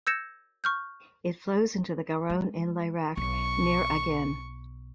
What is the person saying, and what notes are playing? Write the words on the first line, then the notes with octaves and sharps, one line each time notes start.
It flows into the Garonne in Layrac, near Agen.
E6 G6 G#6 A#6 C#7 E7
C#6 F6 G6
G#3
B1 C#6